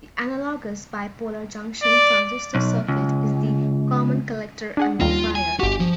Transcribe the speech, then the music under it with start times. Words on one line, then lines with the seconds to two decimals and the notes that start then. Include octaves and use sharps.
The analogous bipolar junction transistor circuit is the common-collector amplifier.
1.83 D5
2.55 B1
2.88 C#2
4.77 D4 G#4 F#5
5.01 D#2 G3 F4 A#6
5.35 G#5
5.60 G1 F#4 G4
5.80 F3